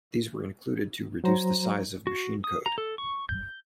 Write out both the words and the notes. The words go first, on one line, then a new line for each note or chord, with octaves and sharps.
These were included to reduce the size of machine code.
F#3 C5 A#5
F#4
D#6
A#5
A4
C#6
G6